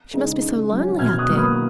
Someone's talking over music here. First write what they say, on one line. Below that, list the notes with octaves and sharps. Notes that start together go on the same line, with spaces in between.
She must be so lonely out there.
C#3 G#3 D#4
C#3
F#3 C#4
B2 F6 G#6
D#6 F#6
F#3 A#3
B5 D#6